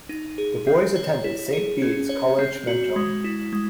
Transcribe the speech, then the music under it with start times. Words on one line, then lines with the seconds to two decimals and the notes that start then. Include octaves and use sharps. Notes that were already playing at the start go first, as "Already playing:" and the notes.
The boys attended Saint Bede's College Mentone.
0.09 D#4
0.38 G#4
0.67 C4
0.96 C#5
1.24 E4
1.53 G#4
1.82 C#4
2.09 C#5
2.39 C4
2.67 F#4
2.96 G#3
3.24 E4
3.53 G#3